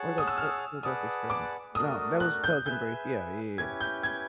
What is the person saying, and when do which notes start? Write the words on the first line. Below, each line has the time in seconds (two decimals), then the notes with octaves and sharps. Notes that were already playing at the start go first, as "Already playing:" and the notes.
or that's Phila Philadelphia Experiment? No, that was Pelican Brief, yeah yeah yeah yeah.
Already playing: G#4 C#5 F#5 A5
0.18 D#6
0.27 E6
0.38 F6
0.83 G#4 B4 D5 F#5 A5 D#6
1.30 D6
1.74 A3 D4 F#4 A#4 D#6
2.20 F#6
2.44 G6
2.66 G#4 B4 E5 G#5 G6
3.58 C#4 E4 G4 B4 G#6
3.80 G6
4.03 G#6